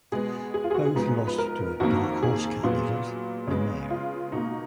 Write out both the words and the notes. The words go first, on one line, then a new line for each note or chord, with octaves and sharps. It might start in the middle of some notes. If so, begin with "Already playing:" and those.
Both lost to a "dark horse candidate": a mare.
B2 G#3 B3 G#4
G#4
F4
G#4
F#4
G#4
G#2 F3 B3
B4
A#4
F2 D#3 A#3 F#4
G#4
A#2 F#3 B3
C#3 G#3 B3
F4
B2 A#3 D#4